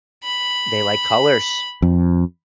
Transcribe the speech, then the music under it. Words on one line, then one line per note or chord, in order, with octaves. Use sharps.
They like colors.
B5
F2